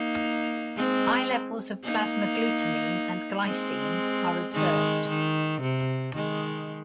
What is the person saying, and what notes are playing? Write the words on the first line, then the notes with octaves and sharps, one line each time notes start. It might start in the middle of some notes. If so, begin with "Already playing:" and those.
High levels of plasma glutamine and glycine are observed.
Already playing: A#3 D#4
G#3 C4
A#3 D#4
G#3 C4
D#3 G#3
D#3
C3
D#3 G#3